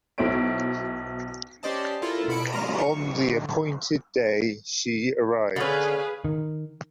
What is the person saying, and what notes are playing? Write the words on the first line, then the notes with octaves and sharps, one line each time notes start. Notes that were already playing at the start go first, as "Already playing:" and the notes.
On the appointed day she arrived.
B1 B2 E4 C5 C#5 D7
C#4 G4 C5 D5 D#5 A5
E4 F4 A4 A#4
B2 E4 B5 C#7 D7
A#5 F6
C#6
D3
D3 C#4 G#4 B4 F5
D#3